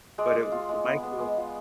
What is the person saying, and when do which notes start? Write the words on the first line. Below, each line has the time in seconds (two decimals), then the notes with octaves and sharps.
but it was a micro
0.18 G#3 D5
0.35 G#3
0.52 F4
0.69 G#3
0.86 B3
1.03 B3
1.20 G#3
1.37 F4